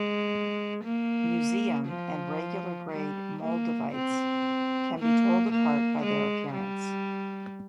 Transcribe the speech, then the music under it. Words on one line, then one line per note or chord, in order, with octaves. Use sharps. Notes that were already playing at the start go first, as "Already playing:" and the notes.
Museum and regular grade moldavites can be told apart by their appearance.
Already playing: G#3
A#3
F3
G3
A#3
C4
A#3
A#3
G#3
G3